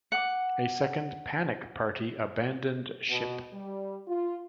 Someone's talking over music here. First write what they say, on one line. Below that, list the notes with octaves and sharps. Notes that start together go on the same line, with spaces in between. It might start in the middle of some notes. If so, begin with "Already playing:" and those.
A second "panic party" abandoned ship.
F#5 D6
B2
G3
F4